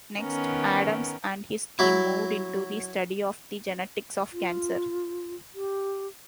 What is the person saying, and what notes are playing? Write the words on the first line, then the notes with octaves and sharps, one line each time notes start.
Next, Adams and his team moved into the study of the genetics of cancer.
D#3 B3 C#4 A#4
F#3 E4
F4
G4